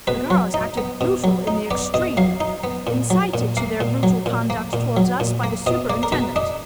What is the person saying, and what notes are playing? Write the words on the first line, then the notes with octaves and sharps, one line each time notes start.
The guards acted brutal in the extreme, incited to their brutal conduct towards us, . . , by the superintendent.
B2 B4
F#3
D#4
B3
B2
F#3
D#4
B3 D5
B2 D#5
F#3 F5
D#4
B3
A#2
F#3
A#2
A#3 F5
A#2
F#3
A#2
A#3
A#2
F#3
A#2
A#3
B2 D#5
A#3 D5
A#4
B2 B4
D4 D#5